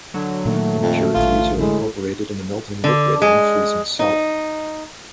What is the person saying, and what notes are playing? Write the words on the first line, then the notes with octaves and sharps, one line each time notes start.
Impurities are incorporated in the melting liquid and freezing solid.
D3 F#3
A#2 D#3 A3
F2
A1 D2 F4
A2 D3 G#3
D3
G#3
D#4